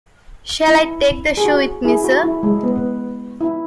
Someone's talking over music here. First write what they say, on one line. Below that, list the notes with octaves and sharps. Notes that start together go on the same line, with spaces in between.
Shall I take the shoe with me, sir?
E4
G#4
F#4
E4 G#4
F#4
E4
G#3
B3
E4